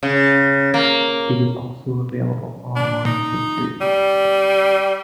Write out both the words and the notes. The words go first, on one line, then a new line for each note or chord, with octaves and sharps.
It is also available online for free.
C#3
A#3
D4
D#4
G3